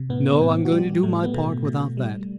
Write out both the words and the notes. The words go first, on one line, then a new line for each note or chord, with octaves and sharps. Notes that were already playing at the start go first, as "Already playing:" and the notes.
"No; I'm going to do my part without that."
Already playing: C3
A2 B3
B3
A2 C4
F#4
G3 G4
A2 A3
B3
B2 A3
B2
G3